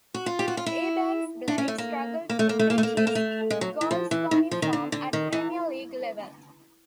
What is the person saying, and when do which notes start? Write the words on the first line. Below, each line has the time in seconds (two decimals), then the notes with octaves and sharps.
Ebanks-Blake struggled to repeat his goalscoring form at Premier League level.
0.14 F#4
0.26 F4
0.39 G4
0.48 F#4
0.57 F4
0.66 E4
1.48 D4
1.58 C#4
1.68 A3
1.78 A#3
2.29 A#3
2.39 A3
2.49 A#3
2.59 A3
2.70 A#3
2.78 A3
2.83 A#3
2.97 A3
3.07 A#3
3.15 A3
3.50 G#3
3.61 F#3
3.81 E3
3.91 F3
4.11 E3
4.31 D#3
4.51 F3
4.62 D#3
4.73 D3
4.92 D3
5.13 D#3
5.33 E3